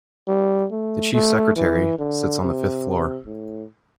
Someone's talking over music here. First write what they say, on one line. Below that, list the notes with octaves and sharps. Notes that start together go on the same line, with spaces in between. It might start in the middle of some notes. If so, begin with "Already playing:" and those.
The Chief Secretary, sits on the fifth floor.
G3
A3
A3
E3
D3
C3
A2